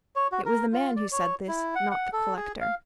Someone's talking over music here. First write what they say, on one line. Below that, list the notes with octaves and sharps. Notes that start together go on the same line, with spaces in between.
It was the man who said this, not the collector.
C#5
F#4
A#4
F4
D5
C#5
E4
F#5
F#5
A4
G#4
F5